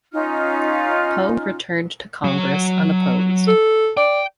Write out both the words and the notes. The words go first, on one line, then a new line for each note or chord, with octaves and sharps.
Poe returned to Congress unopposed.
C#4 D#4 F4 F6
F#3 C#5
A4
D5 G5